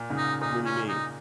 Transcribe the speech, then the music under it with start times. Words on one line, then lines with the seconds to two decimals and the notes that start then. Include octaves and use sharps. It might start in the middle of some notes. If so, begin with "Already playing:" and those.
What do you mean?
Already playing: A#2
0.10 G#2 C#3
0.18 D#4
0.41 A#2 D#4
0.65 C#4
0.89 D#4